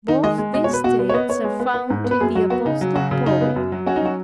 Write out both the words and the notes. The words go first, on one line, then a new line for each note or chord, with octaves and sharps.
Both these states are found in the apostle Paul.
D#3 D#4
G#3 D#5
G#3
B2 D#5
C#5
B2 B4
B2 F#4
B3
C#5
B3 D#5
B3 C#5
G#3
B3
B3
G#2
B3
B4
F#2 G#4
F#3 F#4
B3 F#4
C#3 D#4
F#3
C#3 F#4
C#3
F#2 D#4
B3
F#2
F#3
C#4 F#4
D#4
F#3 F#4